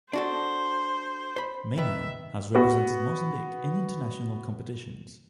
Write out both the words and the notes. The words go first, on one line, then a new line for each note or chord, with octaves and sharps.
Manuel has represented Mozambique in international competitions.
D4 F#4 A4 C5
C5 B5
D#3 B4 E5
B3 F#4